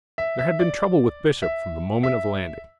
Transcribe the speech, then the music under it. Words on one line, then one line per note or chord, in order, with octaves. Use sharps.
There had been trouble with Bishop from the moment of landing.
E5
E5
D5
E5
E5